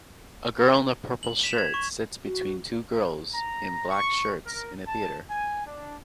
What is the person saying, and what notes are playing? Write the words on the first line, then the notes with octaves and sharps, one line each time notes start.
A girl in a purple shirt sits between two girls in black shirts in a theater.
F#7
B6 E7 F7
G#6
C#6
F#4
A#5
C#6
A#4
A5
G#5
D4